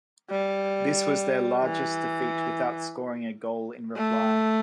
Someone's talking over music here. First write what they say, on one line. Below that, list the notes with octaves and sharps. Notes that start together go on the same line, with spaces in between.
This was their largest defeat without scoring a goal in reply.
G3
E3
A3